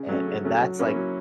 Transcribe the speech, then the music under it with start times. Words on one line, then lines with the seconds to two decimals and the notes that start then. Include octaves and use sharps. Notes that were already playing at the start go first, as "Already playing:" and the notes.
A and that's like,
Already playing: C#3
0.09 F#3 A3 C#4
0.27 C#3
0.44 F#3 A3 C#4
0.61 F#3
0.79 A#3 C#4 E4
0.96 F#3